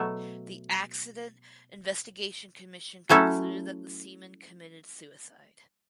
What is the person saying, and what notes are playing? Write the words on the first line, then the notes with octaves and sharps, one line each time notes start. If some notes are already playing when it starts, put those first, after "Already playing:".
The Accident Investigation Commission concluded that the seaman committed suicide.
Already playing: B2 F#3 A3
F#3 A3 C#4 E4 A4